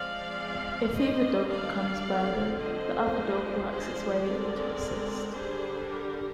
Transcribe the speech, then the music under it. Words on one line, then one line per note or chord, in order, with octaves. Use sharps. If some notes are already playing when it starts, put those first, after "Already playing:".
If either dog becomes birdy, the other dog works its way over to assist.
Already playing: F3 G#3 C4 D5 F5
D#3 G3 A#3 D4 C5 D#5
D5 F5
D3 F3 C4
C5 D#5
F3 G#3 D4
G#4 C5
D3 G#3 C4 A#4 D5
D3 G3 D4 G#4 C5
G4 A#4